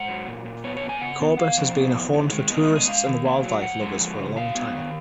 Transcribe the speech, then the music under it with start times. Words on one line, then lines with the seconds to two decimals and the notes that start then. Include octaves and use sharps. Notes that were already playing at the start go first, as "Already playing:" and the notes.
Corbett has been a haunt for tourists and wildlife lovers for a long time.
Already playing: G#2 F#5
0.08 F#3
0.28 A#2
0.45 A#2
0.64 B3 C#5
0.77 C#5
0.83 A#2
0.89 G#5
1.01 C#3 F#5
1.20 B3
1.39 B3 F5
1.57 F3
1.76 B3
1.94 F2
2.14 D#3
2.32 G#3
2.50 B3 D#5
2.63 D#5
2.69 G#3
2.75 D#5
2.88 G#3 F5
3.07 D#3
3.25 A#3
3.44 F#3
3.62 F2 F#5
3.81 G#3
4.00 F3
4.19 C#3
4.37 F#3 F5
4.55 B3
4.74 D#3